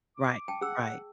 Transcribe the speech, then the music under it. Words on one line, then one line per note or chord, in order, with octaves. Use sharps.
Right, right.
D6
G5 A5
G#4 F#5 E6